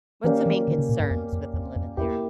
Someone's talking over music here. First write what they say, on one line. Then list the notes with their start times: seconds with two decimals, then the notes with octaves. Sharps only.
What's the main concerns with them living there?
0.24 E3 A#3 C#4 G4 D5 F5
0.46 E3
0.68 D3
0.78 C#3
0.89 A#2
1.00 G2
1.11 F2
1.33 F2
1.54 E2
1.76 F2
1.97 E2 A#3 E4 G4